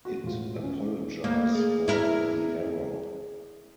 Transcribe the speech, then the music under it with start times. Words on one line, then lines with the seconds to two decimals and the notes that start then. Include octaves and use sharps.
It apologised for the error.
0.05 F#4
0.23 E1 A2 F4
0.63 C#4
1.24 A3 A#3
1.52 G#4 D#6
1.88 E4 A#4